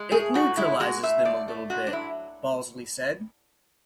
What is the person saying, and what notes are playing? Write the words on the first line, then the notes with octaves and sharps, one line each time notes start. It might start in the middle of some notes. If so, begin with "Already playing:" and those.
"It neutralizes them a little bit," Balsley said.
Already playing: G#3
A2 G#4
A2 F#4
G#3 E4
G#3 F#4
A2 E5
G#2 D5
A3
G#2 F#4
D4
F#3 E4